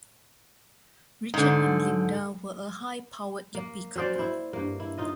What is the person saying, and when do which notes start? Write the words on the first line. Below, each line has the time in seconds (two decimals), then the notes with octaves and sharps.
Richard and Linda were a high-powered yuppie couple.
1.34 G#2 D3
3.55 A#3
3.96 F#3 C#4 C5 D5
4.15 E4 C5
4.53 G2 A#3
4.80 E4
4.98 D#4 F4 D#5